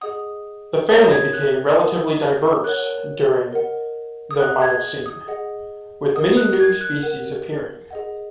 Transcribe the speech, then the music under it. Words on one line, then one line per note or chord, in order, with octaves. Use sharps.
The family became relatively diverse during the Miocene, with many new species appearing.
G#4 D#5 F#5 D#6
A#4 C#5 F#5 D#6
G#6
F#6
A#4 F#5 D#6
A#4 C#5 F#5 F#6
A#4 D#5 F#5
D#6
G#4 D#5 F#5 F#6
G#6
D#6
G#4 D#5 F#5
A#4 D#5 F#5 D#6
F#6
G#6
F#6
A#4 F#5
G#4 D#5 F#5